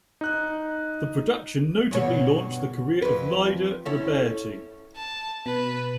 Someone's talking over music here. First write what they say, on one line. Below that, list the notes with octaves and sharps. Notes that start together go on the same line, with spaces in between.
The production notably launched the career of Lyda Roberti.
D#4 F#6
G2 B2 C#5
F2 B4
C#4 E4 A4
A5
B2 B4